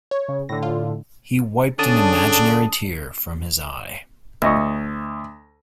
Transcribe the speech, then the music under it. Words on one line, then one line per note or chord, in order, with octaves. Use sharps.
He wiped an imaginary tear from his eye.
C#5
C#3
A2 D3 A#6
F4
D3 C#4 D4 G#4 A5 D#6
D2 D#5 C#6